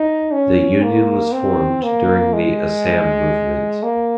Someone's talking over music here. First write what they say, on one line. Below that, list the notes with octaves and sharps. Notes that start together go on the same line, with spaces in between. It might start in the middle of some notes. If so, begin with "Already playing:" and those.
The union was formed during the Assam movement.
Already playing: D#4
C#4
A#3
C4
A#3
G#3
A#3